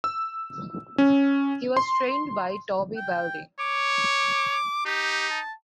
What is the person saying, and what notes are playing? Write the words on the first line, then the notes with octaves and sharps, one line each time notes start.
He was trained by Toby Balding.
E6
C#4
C6
G5
C#5 D6
D#4 G4
A5